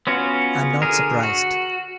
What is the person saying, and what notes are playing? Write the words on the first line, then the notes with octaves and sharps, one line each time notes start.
I’m not surprised!
B3 C#4 F4 F#4
D3 G#4 A#4
F#4